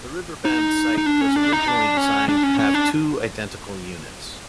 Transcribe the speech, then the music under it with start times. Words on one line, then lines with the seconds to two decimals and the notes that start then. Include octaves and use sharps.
The River Bend site was originally designed to have two identical units.
0.45 D#4
0.98 D#4
1.06 D4
1.21 C#4
1.36 D4
1.52 D#4
1.68 D4
1.97 C#4
2.29 D4
2.43 C#4
2.59 C#4
2.74 D4